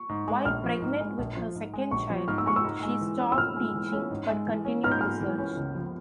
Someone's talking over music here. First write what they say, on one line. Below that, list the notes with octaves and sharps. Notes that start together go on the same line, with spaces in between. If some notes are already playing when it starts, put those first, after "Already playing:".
While pregnant with her second child, she stopped teaching but continued research.
Already playing: C#6
G#2
G#3
A#1 F6
F3
G#2
G#3
A#1
F3
G#2
G#3
A#1 C#6
F3
G#2 F6
E6
G#3 C#6
E6
G#2
G#3
E3
C#4
E6
G#2 F6
G#3
E3
C#4
G#2
G#3
E3
C#4
G#2 F6
G6
G#3 F6
E3
C#4
C#2
F3